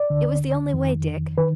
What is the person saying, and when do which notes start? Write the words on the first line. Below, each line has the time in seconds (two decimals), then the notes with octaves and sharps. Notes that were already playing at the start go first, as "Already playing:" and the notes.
'It was the only way, Dick.
Already playing: D5
0.10 D2 D3
0.74 F2 D#3
1.38 D#3 B4